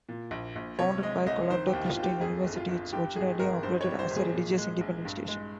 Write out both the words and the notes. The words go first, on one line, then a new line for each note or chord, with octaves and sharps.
Founded by Colorado Christian University, it originally operated as a religious independent station.
A#2
A#1
A#1
C3 C#5
G#3 D#5
C2 D#5
D#3 C5
G4
D#2
F4
D#2
G4
F2 G#4
G1
F4
G1
G2 G4
G#1 G#4
G#1 A#4
G2 C5
C#5
G3
C5
G#1
G#4
A#2
G#3
A#1
G2
G#3